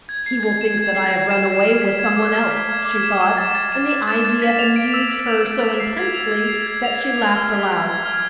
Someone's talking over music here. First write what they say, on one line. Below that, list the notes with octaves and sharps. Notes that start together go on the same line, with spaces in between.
"He will think that I have run away with some one else," she thought; and the idea amused her so intensely that she laughed aloud.
G#6
C7
G#6
E7
G#6
C7
G#6
E7
G#6
F6
B6
G#6
D6
F6
B6
G#6
D6
E7
E7
A6
A6
E7
E7
A6
A6
B6
F7
D7
E6
B6
F7
D7
E6
C7
G#6
F7
G#6
C7
G#6
F7
G#6
G#6
F6
B6
F6
G#6
F6